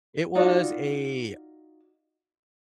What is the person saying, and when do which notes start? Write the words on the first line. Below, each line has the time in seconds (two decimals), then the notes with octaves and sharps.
it was a
0.35 D#4 F4 F#4 D5